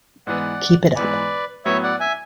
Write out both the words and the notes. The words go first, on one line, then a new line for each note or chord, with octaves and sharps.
Keep it up!
G#2 E3 B3 D5 F#5
G#2 E3 B3 B4 D5
A2 F#3 B3 C#5 E5
D5 F#5
E5 G#5